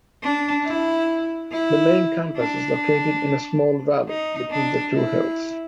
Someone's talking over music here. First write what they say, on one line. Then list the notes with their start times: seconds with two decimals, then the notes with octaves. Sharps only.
The main campus is located in a small valley between the two hills.
0.23 D4
0.65 E4
1.52 E4
2.37 D4
4.09 D#4
4.51 D4
4.94 E4